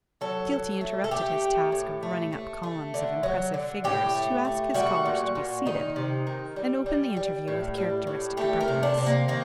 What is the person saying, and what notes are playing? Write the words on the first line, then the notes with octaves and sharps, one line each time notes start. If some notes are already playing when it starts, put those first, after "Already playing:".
Skeelty interrupted his task of running up columns of impressive figures to ask his callers to be seated, and opened the interview with characteristic abruptness.
F#3 A4
F#3
A3
A4
A3 G4
A3
A2
A3
A3
A3
D3
F#3
D3
A2 G4
A3
A3
G3 F#4
A#2
A#2
D#3 D#4
C3
D#3
G3
G3
G3
A2
G3
A2
A3 G4
A#4
C3
D4
C3
A#3
D#3 A#3